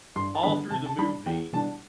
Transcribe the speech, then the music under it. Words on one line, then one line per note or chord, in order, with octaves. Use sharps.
all through the movie,
G2 C6
A5
D3 G3 B3 D4 B5
C3 A5
A5
G3 D4 B5
E2 G5
B2 G3 D4 A5